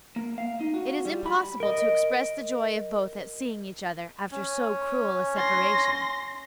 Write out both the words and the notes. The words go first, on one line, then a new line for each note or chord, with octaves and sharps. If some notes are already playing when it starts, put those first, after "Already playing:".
It is impossible to express the joy of both at seeing each other, after so cruel a separation.
A#3
F5
D#4
F#4
G3
B5
A#4 D#5
C#4
C6 A#6